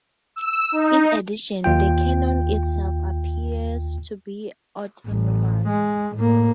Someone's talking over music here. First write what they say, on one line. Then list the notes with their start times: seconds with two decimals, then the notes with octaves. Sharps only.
In addition, the cannon itself appears to be autonomous.
0.36 E6
0.72 D#4
1.64 D#2 F4 G5
5.06 A1
5.68 G#3
6.16 A2 A#3